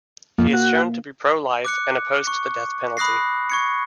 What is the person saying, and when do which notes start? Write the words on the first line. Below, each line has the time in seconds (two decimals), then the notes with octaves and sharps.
He is shown to be pro-life and opposed to the death penalty.
0.38 F2 A#3
0.53 F#4
1.65 D6 F#6 C#7
2.27 C#6
2.97 B5 D#6 F#6 A#6 C7
3.50 C#6 G#6 C#7